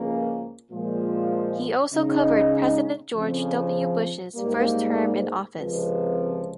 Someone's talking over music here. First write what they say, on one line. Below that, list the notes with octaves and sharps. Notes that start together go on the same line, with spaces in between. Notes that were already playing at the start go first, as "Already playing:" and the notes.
He also covered President George W. Bush's first term in office.
Already playing: C#2 C#3 F3 A#3
A#2 F3 G#3
C#3 G#3 D#4
F2 C#3 F3
G#2 G3 A#3
C#2 C3 F3